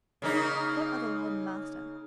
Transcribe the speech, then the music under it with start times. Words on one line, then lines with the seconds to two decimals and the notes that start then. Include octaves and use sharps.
What other lord and master?
0.22 C#3 A#3 D#4